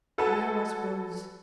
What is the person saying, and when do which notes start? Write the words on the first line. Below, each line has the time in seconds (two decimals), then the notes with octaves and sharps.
Where was Rose?
0.18 F#4 A4 B4 F#5 G#5 A5